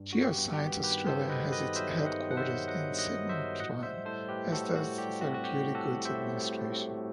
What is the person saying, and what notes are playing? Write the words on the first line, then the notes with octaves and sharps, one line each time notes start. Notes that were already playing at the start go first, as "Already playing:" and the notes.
Geoscience Australia has its headquarters in Symonston, as does the Therapeutic Goods Administration.
Already playing: G2
B3 F#4
G4
G2
G4
B3
D#3 G4 B4
B3 A4 C5
B3 B4 D#5
D#3 B4 D#5
F#3 C5 E5
D#3
D#5 F#5
B3
F#5
C5 E5
F#3
F#3 D#5 F#5
G2
D#5 F#5
G2
C5 E5
F#3
A2 D#5 F#5
G3 C5 E5
A2 A4 C5
A2 G4 B4
A2 F#4 A4
A2 F#4
G3 G4
C4 F#4
F#4
A2 G4
A2
F#4 A4
A2
C5 E5
A2
A2
A2
A2